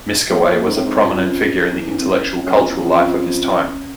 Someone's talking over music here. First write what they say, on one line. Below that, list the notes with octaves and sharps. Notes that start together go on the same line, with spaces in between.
Miskawayh was a prominent figure in the intellectual and cultural life of his time.
A2 B3
A3
A#3
G#2 C#4
A2 C4
G#2
F2 C#4
C4
C#4
E2 C#4
D4
C#4
C4
C#4
F#2
F2
E2
F2